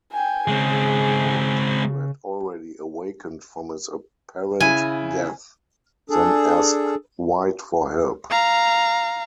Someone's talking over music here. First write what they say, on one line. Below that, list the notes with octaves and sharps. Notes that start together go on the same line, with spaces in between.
Colt, who had already awakened from his apparent death, then asked White for help.
G5 G#5
C#3 G#3 C4 G#4
C#3 E4 G#5
D4 G#4 A4
F5 A#5